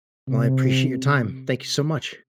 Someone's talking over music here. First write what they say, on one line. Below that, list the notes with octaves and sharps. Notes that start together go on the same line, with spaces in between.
Well, I appreciate your time. Thank you so much.
C3